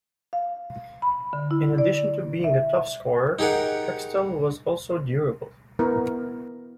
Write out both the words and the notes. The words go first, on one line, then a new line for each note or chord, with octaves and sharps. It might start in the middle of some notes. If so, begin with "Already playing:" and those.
In addition to being a top scorer, Hextall was also durable.
F5
B5
D3
E4
D5
E5
D#4 G4 G#4 A#4 F#5
B3 E4 A#4